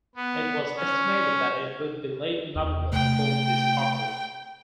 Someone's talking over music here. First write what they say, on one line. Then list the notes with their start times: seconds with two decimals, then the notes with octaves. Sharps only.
It was estimated that it would be late-November before this occurred.
0.15 B3
0.76 C#4
2.56 E2
2.92 C3 A3 G5